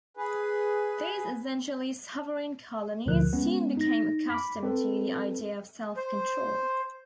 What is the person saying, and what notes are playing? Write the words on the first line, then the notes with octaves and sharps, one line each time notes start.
These essentially sovereign colonies soon became accustomed to the idea of self-control.
G#4 B4
D2 A#2 D3 F3 A#4 F#6
G#3 B3 C#4
D#4 A#6
B5 D6
C4 A4 B4
C5